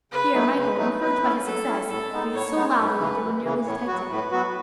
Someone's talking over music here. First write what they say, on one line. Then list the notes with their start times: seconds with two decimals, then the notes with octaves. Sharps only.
Here Michael, encouraged by his success, breathed so loudly that they were nearly detected.
0.12 C#3 B4
0.34 F#3 A3 D#4
0.56 C#3 B4
0.78 F#3 A3 D#4
1.00 F#3 B4
1.22 C#4 E4
1.44 F#3 A4
1.66 C#4 E4
1.88 A2 A4
2.10 G#3 B3 D#4
2.32 A2 C#5
2.55 G#3 B3 D#4
2.77 F#2 B4
2.99 C#3 E3
3.21 F#2
3.43 C#3 E3
3.65 A2 C#5
3.87 F#3 B3 F#4
4.09 A2 B4
4.32 F#3 B3 F#4